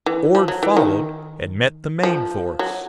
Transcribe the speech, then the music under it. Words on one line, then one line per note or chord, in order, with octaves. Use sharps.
Ord followed and met the main force.
E3
F3
F#3
E3
D#3
F3
F#3